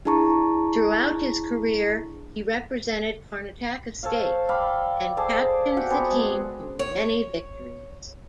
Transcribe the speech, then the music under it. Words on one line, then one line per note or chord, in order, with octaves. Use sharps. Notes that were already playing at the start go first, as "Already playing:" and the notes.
Throughout his career, he represented Karnataka state and captained the team to many victories.
D4 E4 G#4 A5 A#5 C#6
A4 C5 C#5 F5
D5 F5 G5 B5
G#4 A4 C5 D5
F#4 G4 F#5 G5
B3 C4 G#4 A4
G#3
C#5